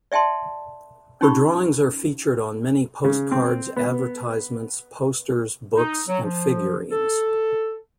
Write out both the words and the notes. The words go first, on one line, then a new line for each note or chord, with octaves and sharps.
Her drawings are featured on many postcards, advertisements, posters, books and figurines.
D5 E5 G5 A5 C6
C#4 D#4 G4 B5 C#6
C#3
C4
B3
D#4
F#3
F3
A4